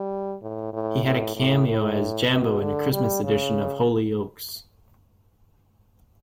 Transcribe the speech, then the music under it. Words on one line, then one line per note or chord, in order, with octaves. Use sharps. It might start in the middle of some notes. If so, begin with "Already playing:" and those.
He had a cameo as Jambo in a Christmas edition of "Hollyoaks".
Already playing: G3
A2
A2
A2
A2
A2
B2
D3
G3
C#3